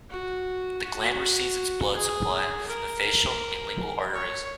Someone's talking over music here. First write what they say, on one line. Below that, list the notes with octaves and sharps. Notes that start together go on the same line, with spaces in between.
The gland receives its blood supply from the facial and lingual arteries.
F#4
F#4
G#4
A#4
C#5